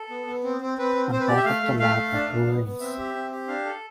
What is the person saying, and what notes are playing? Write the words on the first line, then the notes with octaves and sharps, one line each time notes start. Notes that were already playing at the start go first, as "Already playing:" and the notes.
On top of the lap are two rings.
Already playing: A4
B3
B3
C4
C4
C4 B4
C4
C4 C5
B4
G4 D5
E5
A3 F5
A3
A3 F5
A3
D4
D4
B3
B3
C4 E5
G4
C4
G4
D4 F5
A4